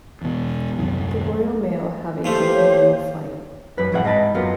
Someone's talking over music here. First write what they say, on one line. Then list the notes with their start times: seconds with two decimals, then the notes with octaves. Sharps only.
The Royal Mail have a daily mail flight.
0.21 E2 B2
0.78 D#1 C2 F#2
2.24 A#2 F3 A3 G4 C5
2.54 C#5
3.78 F#2 B4
3.92 F2 A2 A3 G#4 E5 F#5
4.04 G#2 D#5 A5 B5
4.34 F#2 F#3 A#3 B3 F4